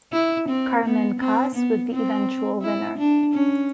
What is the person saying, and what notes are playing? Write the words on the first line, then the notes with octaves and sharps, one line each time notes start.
Carmen Kass was the eventual winner.
E4
C4
B3
C4
B3
C4
E4
D4
C#4